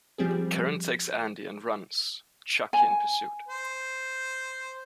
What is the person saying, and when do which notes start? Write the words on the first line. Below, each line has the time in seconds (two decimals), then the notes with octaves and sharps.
Karen takes Andy and runs, Chucky in pursuit.
0.18 F3 G3 C4 G#4
2.73 G#5
3.48 C5